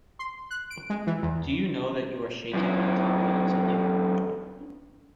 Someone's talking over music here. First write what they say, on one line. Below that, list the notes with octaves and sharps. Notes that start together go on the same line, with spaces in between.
Do you know that you are shaking my confidence in you.
C6
F#6
D7
G#3
E3
E2
F#2 E3